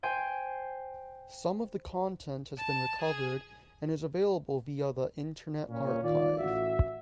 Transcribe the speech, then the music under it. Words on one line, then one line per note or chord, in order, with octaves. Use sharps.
Some of the content has been recovered and is available via the Internet Archive.
C5 G5 G#5 C6
A5
G#4
A#2 C#4
D#3 F4 D5
A1 F#4 E5